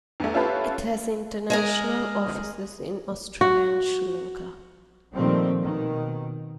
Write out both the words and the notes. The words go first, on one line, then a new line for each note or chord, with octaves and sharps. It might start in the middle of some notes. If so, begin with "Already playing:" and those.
It has international offices in Australia and Sri Lanka.
E2 A3
C#4 E4 F4 G4 A4 B4
G#3 G#4 A#4
F#4
A#2 D#3 F3 G3 A3 C4
B2 D#3